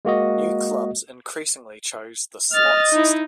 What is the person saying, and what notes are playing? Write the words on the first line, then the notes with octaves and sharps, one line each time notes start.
New clubs increasingly chose the slot system.
G#3 A#3 F#4 D#5
D#5 F6 A6
D#4 E4